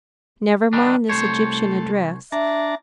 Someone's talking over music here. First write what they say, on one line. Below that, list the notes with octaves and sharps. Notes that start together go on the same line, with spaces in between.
Never mind this Egyptian address.
D#3 G3 D4
C2 A3 C5 C#5
D4 E5 A5 A#5